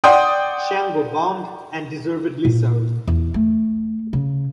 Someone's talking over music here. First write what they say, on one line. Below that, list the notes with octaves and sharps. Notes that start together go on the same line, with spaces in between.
Shango bombed, and deservedly so.
D5 F#5 G5 C6 D#6
A#2
E2
A3
C#3